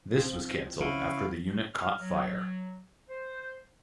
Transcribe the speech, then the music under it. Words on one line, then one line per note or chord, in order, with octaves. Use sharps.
This was cancelled after the unit caught fire.
C2 F3 C4
C#3 E4 F#4 F5
F6
F#3
C5